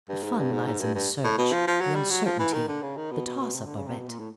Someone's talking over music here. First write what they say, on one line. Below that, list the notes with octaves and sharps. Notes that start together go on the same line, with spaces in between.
The fun lies in the search, the uncertainty, the toss-up of it.
G2
G#2
G2
G#2
G#2
G2
G2
A2
B2
F3
F3
F#3
G3
F#3
F3
E3
D#3
D3
C#3
D#3
B2
B2
B2
C3
D3
C#3
C3
B2
A#2
A2